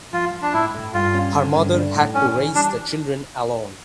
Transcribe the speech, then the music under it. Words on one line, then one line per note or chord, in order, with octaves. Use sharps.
Her mother had to raise the children alone.
F3 F4
F3
D4
A2 E4
A2
G2 F4
C#4
D3
G2
D4
A2
C#4 D4
E3
G3 D4